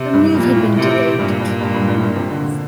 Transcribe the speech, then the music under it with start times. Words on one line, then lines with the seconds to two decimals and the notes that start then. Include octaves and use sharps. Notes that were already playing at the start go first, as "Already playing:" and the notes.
The move had been delayed due to legal problems.
Already playing: C3
0.13 G2
0.35 F2 A#2
0.56 A2
0.77 C3
1.19 G2 A#2
1.39 G2
1.60 G2
1.74 G2
1.88 G2
1.97 A2
2.02 G2 A#2
2.16 C3
2.30 D3